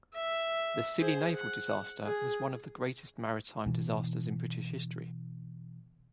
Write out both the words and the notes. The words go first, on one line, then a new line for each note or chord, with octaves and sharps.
The Scilly naval disaster was one of the greatest maritime disasters in British history.
E5
G#4 C5
F#5
G#4
B2 E3